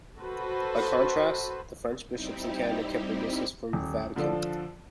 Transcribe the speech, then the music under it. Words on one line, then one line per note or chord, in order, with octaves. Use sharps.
By contrast, the French bishops in Canada kept their distance from the Vatican.
F#4 A4 B4 C5
G3 C4 D#4 E4 G4
D#1
D3 F3 A4 D5